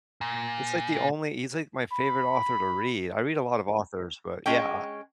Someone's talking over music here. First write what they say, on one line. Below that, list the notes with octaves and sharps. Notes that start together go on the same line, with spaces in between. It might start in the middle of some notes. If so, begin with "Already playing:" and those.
It's, like, the only he's, like, my favorite author to read. I read a lot of authors, but, yeah, I
A#2
B5
G#3 C#4 G5